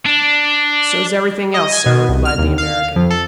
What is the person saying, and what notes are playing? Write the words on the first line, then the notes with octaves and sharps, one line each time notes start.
"So's everything else, sir," replied the American.
D4
D#5
G#5
B2
C2
F6
D#2
F5
F2
A4